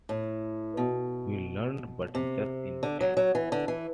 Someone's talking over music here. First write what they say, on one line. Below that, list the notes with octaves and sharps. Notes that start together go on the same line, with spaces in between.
We learned but just in time.
A2
B2
C3
D3
F#3
F#3
E3
D3
E3